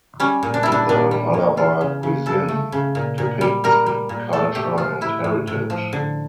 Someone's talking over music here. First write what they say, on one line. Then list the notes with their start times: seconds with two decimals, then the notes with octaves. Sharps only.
The Malabar cuisine depicts it culture and heritage.
0.20 G3 C#4
0.43 A#2
0.54 D4
0.63 G3 E4
0.72 D4
0.89 A#2 D4
1.11 G3
1.34 A#2
1.57 E3 F4
1.81 C#3
2.03 C#3
2.26 C#3 A4
2.48 A3
2.72 C#3
2.95 A#2
3.18 A#2
3.41 G3
3.64 G3 A#4
3.86 G3
4.09 A#2
4.33 A3 A4
4.55 A3 G4
4.78 F3 F4
5.01 A2 E4
5.24 A2
5.47 A2
5.70 F3
5.93 D3